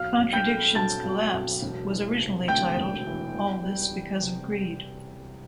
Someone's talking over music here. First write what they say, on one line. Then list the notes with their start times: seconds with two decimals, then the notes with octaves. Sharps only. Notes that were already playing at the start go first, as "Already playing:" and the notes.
"Contradictions Collapse" was originally titled "All This Because of Greed".
Already playing: B1 F5 F6
0.18 B1
0.33 G5 G6
0.47 A3
0.75 B2 A5 A6
1.04 B1
1.33 B1
1.62 E1
1.90 E3
2.20 C3
2.48 D2 G5 G6
2.77 E1
3.06 E3
3.35 E2
3.63 G3
3.92 E3
4.21 C3